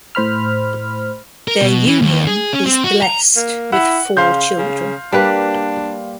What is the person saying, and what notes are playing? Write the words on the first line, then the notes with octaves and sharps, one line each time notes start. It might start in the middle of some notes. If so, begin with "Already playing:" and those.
Their union is blessed with four children.
A2 C5 B5 F6
A#4
B2
E3
D#2
G#4
C#4
C4
F#4
A#5
A#3
E4 F#5
C#3 F5 C6 G6
C#3
G3 A#3 D4 B4